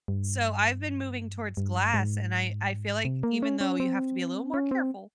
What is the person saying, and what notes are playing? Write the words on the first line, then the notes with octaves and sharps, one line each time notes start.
So, I've been moving towards glass, and I I feel like, even though you have to be a little more careful,
G2
G2
G#2
C3
A#3
C#4
C#4
C4
C#4
C4